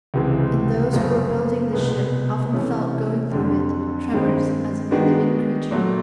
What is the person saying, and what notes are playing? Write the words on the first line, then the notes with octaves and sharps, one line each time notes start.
And those who were building the ship often felt going through it tremors as of a living creature.
C#2 C3 E3 G#3
F#2 C#3 F3 A3
C2 B2 G#3 B3
C3 E3 A3 C#4
F2 D3 F#3
G2 D#3 G#3 C4
D#3 G#3 B3 D4 F#4
A#2 F#3 A3